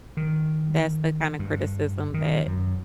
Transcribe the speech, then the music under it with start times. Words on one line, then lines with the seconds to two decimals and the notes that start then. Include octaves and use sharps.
That's the kind of criticism that
0.17 D#3
1.39 G2
2.14 D#3
2.47 F#2